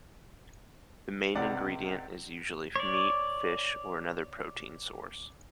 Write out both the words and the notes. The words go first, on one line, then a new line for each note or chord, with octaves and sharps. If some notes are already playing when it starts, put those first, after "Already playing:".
The main ingredient is usually meat, fish or another protein source.
C#2 C3 D5 F#5
C#5 D5